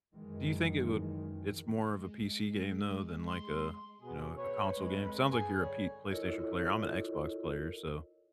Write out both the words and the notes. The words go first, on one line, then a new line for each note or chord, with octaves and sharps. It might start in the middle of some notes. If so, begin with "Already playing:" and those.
Do you think it would it's more of a PC game, though, than, like, a, you know, a console game? Sounds like you're a P PlayStation player. I'm an Xbox player, so
F#2 D#3 E3 G#3
G#3
C6
B2 B3 G#4
B4 C#5
F2 G#3
G2 G#4
D3 G3 C#5
E4 F4 A4 A#4 C#5 D#5